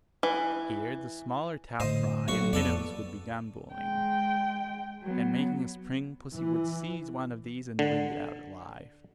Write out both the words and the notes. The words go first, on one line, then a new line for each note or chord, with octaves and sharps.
Here the smaller trout-fry and minnows would be gambolling; and, making a spring, pussy would seize one of these and bring it out alive.
E3
A2 D3 C5 D#5
B1 F#4 C#6
F2 B3 A4 D5
G#3 G5
F#3 B3
E3
D3